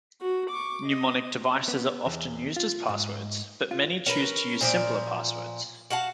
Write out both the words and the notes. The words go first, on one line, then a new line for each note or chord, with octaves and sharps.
Mnemonics devices are often used as passwords but many choose to use simpler passwords.
F#4
C#6 D6
D#5
B3
E2
F4
G#2
F4
C#4 A#4 B4
A#2 F3 D5
F#4 F5 F#5 A5